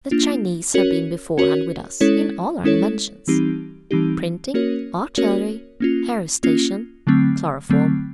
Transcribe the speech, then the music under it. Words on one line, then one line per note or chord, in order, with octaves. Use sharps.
The Chinese have been beforehand with us in all our inventions--printing, artillery, aerostation, chloroform.
A#3 D4 F4
C#4 F#4 A#4 C#5
C#4 F#4 A#4 C#5
G#3 C#4 E4 A4 C#5
G#3 C#4 E4 A4 C#5
E3 G3 C4 D#4 G4
E3 G3 C4 D#4 G4
A#3 C#4 F#4 A#4 C#5
A#3 C#4 F#4 A#4 C#5
A#3 C#4 F4
A#3 C#4 F4
D3 F#3 A3 C4
D3 F#3 A3 C4